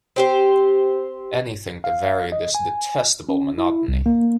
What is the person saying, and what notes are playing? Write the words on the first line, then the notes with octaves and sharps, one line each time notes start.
Anything to vary this detestable monotony.
C4 G4 C5
F5
D#5
G#5
C#4
E4
C2
A#3